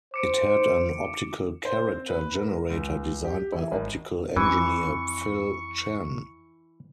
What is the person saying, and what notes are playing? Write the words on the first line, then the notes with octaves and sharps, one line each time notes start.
It had an optical character generator designed by optical engineer Phil Chen.
C5 D6 C#7 D7
C5
C4
B4
A#4
C#2
G4
E3
G#1
F2 E3 C4 C#6